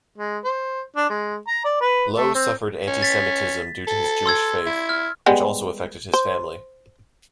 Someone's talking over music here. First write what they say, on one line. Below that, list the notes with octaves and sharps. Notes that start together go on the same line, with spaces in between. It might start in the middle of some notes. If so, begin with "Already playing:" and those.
Loewe suffered Anti Semitism due to his Jewish faith, which also affected his family.
G#3
C5
D4
G#3
A#5
D5
B4
A3
C4
C#4
A6 B6
A4
C6 E6 G#6
E4
F6
G3 G#3 B3
C5